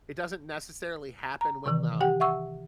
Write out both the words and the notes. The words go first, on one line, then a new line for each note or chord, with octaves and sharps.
It doesn't necessarily happen when, um,
A#5
C3 D#3 E3
G4 F#5 G5
E5 F#5 C#6 E6